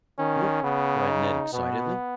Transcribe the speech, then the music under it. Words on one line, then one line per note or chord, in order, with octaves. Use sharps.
"Look!" cried Ned excitedly.
D#3 C#4
C#3 B3
D#4
B2 B3